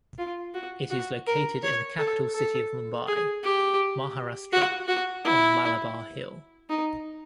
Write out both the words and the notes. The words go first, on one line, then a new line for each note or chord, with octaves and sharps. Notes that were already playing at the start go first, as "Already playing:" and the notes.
It is located in the capital city of Mumbai, Maharashtra on Malabar Hill.
F4
F#4
F#4
A#4
C#5
A4
A4
G#4
G4
F#4
F#4
E4
D#4